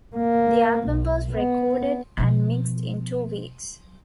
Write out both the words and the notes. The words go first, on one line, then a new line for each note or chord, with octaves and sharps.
The album was recorded and mixed in two weeks.
A#3
B1
B3
B2 F3